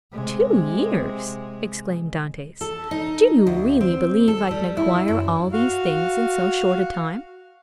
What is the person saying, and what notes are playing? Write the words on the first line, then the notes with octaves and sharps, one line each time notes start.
"Two years!" exclaimed Dantes; "do you really believe I can acquire all these things in so short a time?"
C3 G#3
A4
D#4
D2
C4
A4
G3
E4
F#2
F#4 F5